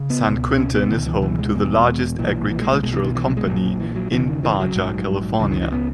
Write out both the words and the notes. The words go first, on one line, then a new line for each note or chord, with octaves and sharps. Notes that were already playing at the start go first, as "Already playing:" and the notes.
San Quintin is home to the largest agricultural company in Baja California.
Already playing: C#3
B3
C#2 B2
C#4
B3
C#2 B2 D#3
E3
E3
G#3
E1 E2 B2
B1 A#2 E3
E3
G#3
G#3
B1 B2 G#3
E3
D#3
E3
F#3
G#3
A#1 A#2 F#3
E3
F#3
D#2 C#3 E3
E1
D#3
E3
F#3
A#1 G#2
C#2 C#3 E3
D#3
E3
B3